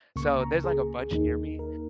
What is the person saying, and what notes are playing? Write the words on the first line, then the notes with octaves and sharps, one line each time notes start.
so, there's, like, a bunch near me,
C#2 C#3 A#3 C#6
A#5
G#4
D#2 D#3 A#3 D#4
A#4